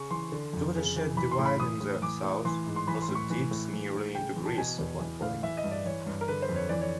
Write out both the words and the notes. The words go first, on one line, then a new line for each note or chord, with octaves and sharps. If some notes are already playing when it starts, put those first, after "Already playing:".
The watershed divide in the south also dips nearly into Greece at one point.
Already playing: C#3 C#6
E3 C6
D3
F2
C#3
E3
E3 B5
C6
A2
B5
E3 D#6
A2
E3 D6
A2
E3 C6
G#2
C6
E3 B5
C6
A2
C#6
E3
A2
E3
A2
C#3 G5
E3
A5
B2 G#5
E2
E3
A2 F5
E3 E5
D#5
G2
D5
E3 C#5
G2
A#4
D3 B4
C5
F2
C#5
E3 D5
C#5